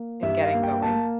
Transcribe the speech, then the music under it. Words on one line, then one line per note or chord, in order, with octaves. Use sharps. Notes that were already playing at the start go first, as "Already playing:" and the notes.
and getting going.
Already playing: A#3
G2 E5
F5
A#3
G5
A#3 A5